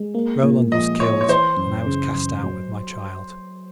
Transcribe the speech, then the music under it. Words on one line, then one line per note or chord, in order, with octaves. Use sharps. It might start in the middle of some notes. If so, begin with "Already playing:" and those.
Roland was killed, and I was cast out with my child.
Already playing: G#3
A#3
A#2
F3 D#5
A#2 C#5
C#5
E3 C5
F#2
C#3
F#2
F#3